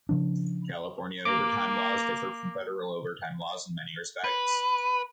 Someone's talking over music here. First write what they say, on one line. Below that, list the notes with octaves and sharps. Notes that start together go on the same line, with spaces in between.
California overtime laws differ from federal overtime laws in many respects.
C#3 F3 D4
A#3 D6
B4